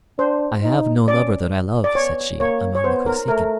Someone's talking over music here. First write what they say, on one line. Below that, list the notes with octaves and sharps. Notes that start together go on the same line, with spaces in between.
"I have no lover that I love," said she, "among the Kosekin."
D4 C5
D#4
C#4 D5
D5
B3 C#5
A#3 C#5
C#5
B3 C5
A#4
A3 A#4